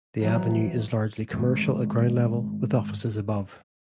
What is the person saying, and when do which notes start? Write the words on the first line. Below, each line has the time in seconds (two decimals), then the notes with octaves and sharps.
The avenue is largely commercial at ground level, with offices above.
0.20 F2 E3 F#3
1.33 G#2 D#3 A3